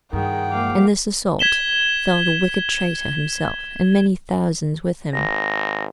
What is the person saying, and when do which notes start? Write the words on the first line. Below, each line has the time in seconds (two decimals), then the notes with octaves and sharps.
In this assault fell the wicked traitor himself, and many thousands with him.
0.13 G2 D#3 G#4 F#5 G5
0.52 F3 G#3 A#3 F5 D6
1.39 G#6 B6 E7 G7
5.13 G#1 A#6